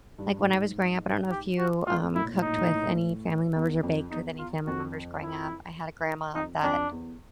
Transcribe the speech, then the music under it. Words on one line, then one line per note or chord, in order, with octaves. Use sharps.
like, when I was growing up I don't know if you, um, cooked with any family members, or baked with any family members growing up, I had a grandma that
G2
A2
G#2
G4
F#4
A2 F4
A2 E4
A#2
A2
A#2 D#4
A2
A#2
A2
A#2
A2
E2
F2
E2 D#4
F4
F2 F#4
E4
F2 D#4
F2 D4
E2